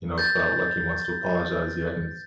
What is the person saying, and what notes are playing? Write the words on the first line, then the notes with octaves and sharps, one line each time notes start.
you know, felt like he wants to apologize yet, and it's
G6 A6